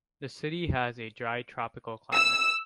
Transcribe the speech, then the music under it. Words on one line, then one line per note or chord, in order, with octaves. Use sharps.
The city has a dry tropical climate.
E6